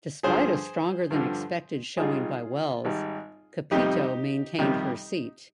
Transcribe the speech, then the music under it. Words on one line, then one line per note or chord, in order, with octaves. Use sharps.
Despite a stronger than expected showing by Wells, Capito maintained her seat.
G2 D3 F3 G#4 C5
G2 D3 F3
G#1 G#2 G3 F4 G#4
G#1 G#2 G3
F2 C3 D#3 G3 D#4 G4
F2 C3 D#3 G3